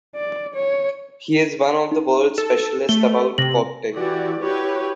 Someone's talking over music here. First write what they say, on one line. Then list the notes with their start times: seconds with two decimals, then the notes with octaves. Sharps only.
He is one of the world specialists about Coptic.
0.15 D5
0.55 C#5
1.92 D#4
2.38 A4
2.89 A3 G7
3.38 C3 A#6 F#7
3.93 E3 E4 F#4 G4 D5
4.40 E4 F#4 G4 B4 C#5